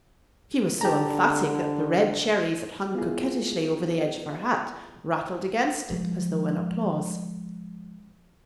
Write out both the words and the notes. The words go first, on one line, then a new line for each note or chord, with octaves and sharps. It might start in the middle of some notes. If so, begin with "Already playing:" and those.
She was so emphatic that the red cherries that hung coquettishly over the edge of her hat rattled against it as though in applause.
D3 G4 A5 A#5
B3 E4 F4 G#4
F3 G#3